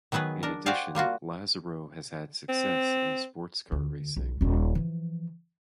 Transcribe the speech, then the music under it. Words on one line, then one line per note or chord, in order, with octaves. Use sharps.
In addition, Lazzaro has had success in sports car racing.
D#3 F#3 B3 G#4 B4
D4 A#4
F#4 G4 C5 D5 F5 G#5
G3 A#3 F4 F#4
C4
D2
B1
D#1 C#4
E3 F3